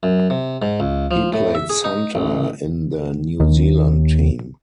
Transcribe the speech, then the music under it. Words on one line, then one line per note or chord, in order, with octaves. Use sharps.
He played center in the New-Zealand team.
F#2
C3
G#2
C#2
F3
A2
E5
G#4
D#4
A1
D#2